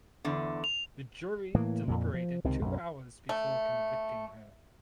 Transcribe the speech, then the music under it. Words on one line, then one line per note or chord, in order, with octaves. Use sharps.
The jury deliberated two hours before convicting her.
E2 D3
F7
A2 E3 A#3
F2 A#2
F3
C#2 C3 D#3 C4
B1 F#2
A3